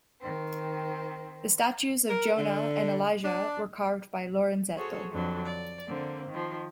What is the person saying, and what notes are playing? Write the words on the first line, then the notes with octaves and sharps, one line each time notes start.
The statues of "Jonah" and "Elijah" were carved by Lorenzetto.
D#3 C4
A#4
D3
D4
F#4 G#4 A4 C5 C#5
F2 D3 F#3 D4
D5
D3 A#3 C4
D#3 F3